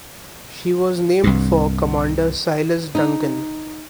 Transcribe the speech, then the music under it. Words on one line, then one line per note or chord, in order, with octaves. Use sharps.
She was named for Commander Silas Duncan.
C2 G2
D#4